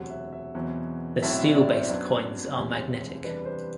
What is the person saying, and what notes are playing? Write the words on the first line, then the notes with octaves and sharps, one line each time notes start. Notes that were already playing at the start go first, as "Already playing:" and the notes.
The steel-based coins are magnetic.
Already playing: E1 D2 C3 F#3 F#5
E5
E5
E2 B2 F#3 C4
B1 A2 F#3 C4 E4 E5
E5
D5
C5
F#2 F#3 B3 D4
E1 D2 C3 G3
E2 C3 G3 D4 B4
C5